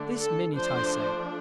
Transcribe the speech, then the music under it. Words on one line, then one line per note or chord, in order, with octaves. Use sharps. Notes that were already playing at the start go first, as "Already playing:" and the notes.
This minute, I say.
Already playing: D3 A3 D4
A4
F3 A3 D4 C5